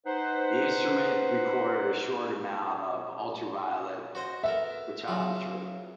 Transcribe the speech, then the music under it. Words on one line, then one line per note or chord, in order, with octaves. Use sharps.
The instrument recorded a short amount of ultraviolet photometry.
D#4 B4 C5 F#5
F#4 C5 D#5
B3 A4 A#4 E5
C#3 F#3 F4